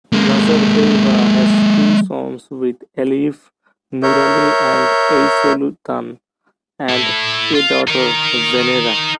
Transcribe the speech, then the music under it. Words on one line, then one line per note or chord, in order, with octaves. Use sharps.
Nazarbayeva has two sons with Aliyev, Nurali and Aisoultan, and a daughter Venera.
G#3 A#3
A#4 C#5 E5 G6
E4 A4
F4
D#4 A#4